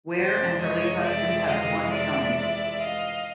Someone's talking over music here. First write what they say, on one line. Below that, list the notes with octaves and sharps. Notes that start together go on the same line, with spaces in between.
Wair and her late husband have one son.
F2 C3 E3 G#3 C5 D5
C#5 D#5
D5 E5
D#5 F5
D5 E5
D#5 F5